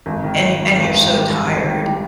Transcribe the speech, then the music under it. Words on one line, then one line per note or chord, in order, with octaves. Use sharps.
and and you're so tired,
G#1
D#3
G#1
G#1
G#1
G#1
G3
G#1
G#1
D#3
G3